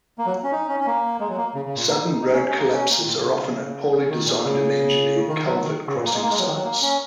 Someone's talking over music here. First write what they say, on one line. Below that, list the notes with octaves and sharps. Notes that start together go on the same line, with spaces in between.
Sudden road collapses are often at poorly designed and engineered culvert crossing sites.
A#3
F#3
C#4
D#4
C#4
C#4
A#3
G#3
F#3
A#3
C#3
C#3
A#2
A#3
D#4
D#4
C#4
C#4
A#3
C#4
A#3
D#3
A#2
C#3
C#3
D#3
A#2
C#3
D#3
F#3
D#3
C#3
A#2
A#3
G#3
A#3
G#3
F#3
D#3
F#3
A#3
C#4